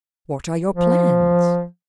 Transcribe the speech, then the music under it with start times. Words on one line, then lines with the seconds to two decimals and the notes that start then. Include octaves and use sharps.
What are your plans?
0.76 F3